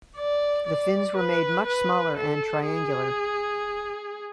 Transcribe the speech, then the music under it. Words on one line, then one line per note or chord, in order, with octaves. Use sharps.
The fins were made much smaller and triangular.
D5
D5
B4
B4
A4
G#4